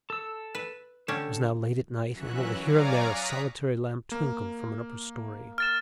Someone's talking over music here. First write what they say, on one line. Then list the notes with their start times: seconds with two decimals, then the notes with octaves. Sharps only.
It was now late at night, and only here and there a solitary lamp twinkled from an upper story.
0.10 A4 E6
0.55 B4
1.08 D3 C#4 G4 A4
2.12 E3 F#3 C#4 F#4 E5 F#6
2.59 C#5 D5 F5 G#5 A#5 D6
3.03 A#5 D#6 F#6 B6
4.12 A#3
5.58 F6 A6 E7